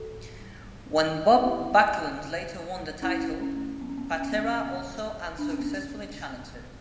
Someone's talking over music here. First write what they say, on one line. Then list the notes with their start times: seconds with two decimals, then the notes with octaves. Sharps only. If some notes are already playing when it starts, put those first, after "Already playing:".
When Bob Backlund later won the title, Patera also unsuccessfully challenged him.
Already playing: G3 F#4 A4
0.12 A2
0.38 G3
0.66 G3
0.91 G3
1.18 G3
1.44 D3 E4 G4
1.70 G3
1.96 D3
2.24 D3
2.50 G3
2.76 G3
3.02 A3 C#4 E4
3.29 D3
3.41 C#4
3.55 A3
3.81 F#3 B3
3.89 C#4
3.98 B3
4.08 F#3
4.21 C#4
4.32 D3 B3
4.42 C#4
4.60 B2
4.87 G3
5.13 G3
5.39 B2 D4
5.50 C#4
5.59 B3 D4
5.65 G3
5.91 G3
6.18 B2
6.45 B2